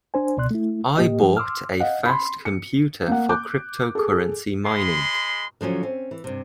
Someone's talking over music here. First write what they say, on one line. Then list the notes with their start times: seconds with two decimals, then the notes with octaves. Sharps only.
I bought a fast computer for cryptocurrency mining.
0.14 D4 C5 G#5
0.37 C#2 B2 D5 C6 F#6
0.51 A3 E4
0.97 A2 A#3 G4 D#5
1.23 F3
1.37 C6 D6 E6 F6
1.80 D#5 F5 F#5
2.05 B5 C6
2.45 C#7
3.08 A#3 F#5
3.29 D6 F#6 G6
3.95 G#4 A4
4.66 G#3 B5 C6
5.61 D3 F3 F#3 C#4
5.83 C4 C#4
6.11 E3
6.24 G2 C3